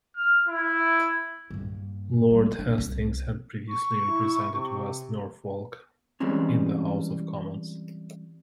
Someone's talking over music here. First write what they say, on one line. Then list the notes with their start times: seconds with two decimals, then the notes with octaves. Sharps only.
Lord Hastings had previously represented West Norfolk in the House of Commons.
0.16 F6
0.48 E4
1.51 G2 A#2
2.31 G3
2.59 D4
2.78 C2
3.68 C#6
4.07 E4
4.48 C3
6.20 E3 G3 G#3 C4 C#4